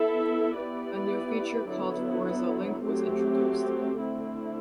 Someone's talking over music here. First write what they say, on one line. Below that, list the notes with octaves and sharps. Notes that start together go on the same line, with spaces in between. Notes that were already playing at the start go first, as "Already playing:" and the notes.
A new feature called "Forza Link" was introduced.
Already playing: B3 E4 A4 E5
B3 E4 G4 B4 D5
D3 F#3 B3 E4
F#3 A3 C4 G4
D3 A3 C4 E4